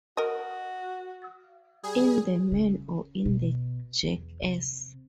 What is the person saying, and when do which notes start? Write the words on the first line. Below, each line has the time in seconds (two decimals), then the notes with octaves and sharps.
In the man or in the jackass?
0.17 F#4 A#4 D#5
1.83 G3 G#4
2.52 C#3
3.26 B2
4.03 E2
4.42 C3